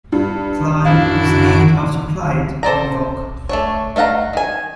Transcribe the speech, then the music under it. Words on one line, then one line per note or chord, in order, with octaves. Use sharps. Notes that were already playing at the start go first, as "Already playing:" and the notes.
Clyde was named after Clyde, New York.
G2
F#2 D4 E4 F#4 F5 D7
A4 C5 D5 A#5
A3 D4 C#5
A3 D#4 F5 F#5 A#5
D#3 G#5